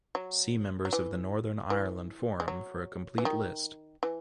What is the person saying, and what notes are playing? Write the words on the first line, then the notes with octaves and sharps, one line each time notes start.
See members of the Northern Ireland Forum for a complete list.
F#3
F#3
E3
E3
G#3
F#3
E3
D#3
E3